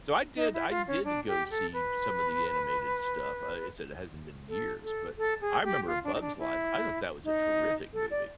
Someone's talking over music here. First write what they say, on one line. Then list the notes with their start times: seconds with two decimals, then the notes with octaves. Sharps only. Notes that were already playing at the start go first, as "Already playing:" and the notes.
so, I did I did go see some of the animated stuff, uh, I said it hasn't been years, but I remember A Bug's Life, I thought that was a terrific movie,
0.36 D#4
0.54 E4
0.70 F4
0.88 C#4
1.04 D4
1.28 G4
1.51 A4
1.73 B4
4.49 A4
4.83 A4
5.18 A4
5.41 G#4
5.64 G4
5.87 F4
6.04 D4
6.15 D#4
6.21 D4
6.39 E4
7.24 D#4
7.93 A4
8.11 D5